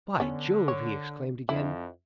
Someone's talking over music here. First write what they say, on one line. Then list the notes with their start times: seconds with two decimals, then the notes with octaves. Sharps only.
"By Jove!" he exclaimed again.
0.20 D3 B3 C#4
0.68 C#5
1.49 F2 E4